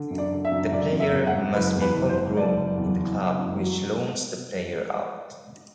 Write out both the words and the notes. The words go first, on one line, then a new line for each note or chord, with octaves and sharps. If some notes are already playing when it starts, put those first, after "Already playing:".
The player must be homegrown in the club which loans the player out.
Already playing: D3
F#2
D5
D3
E5
F#2
F#2 D5
F#2
E5
F#2
F#5
F#2
F#1 B4
E2
B4
F#1
C5
F#1
F#1 D5
F#1
E2
F#1
F#1
F#2
F#3